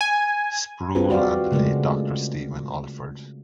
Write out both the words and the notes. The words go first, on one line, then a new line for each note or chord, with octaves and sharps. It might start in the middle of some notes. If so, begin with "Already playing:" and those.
Sproul and the late Doctor Stephen Olford.
G#5
C4 F4 F#4 G#4 B4
G3 F#4 D5 F5
C#3 G#3 A3 F4 A#4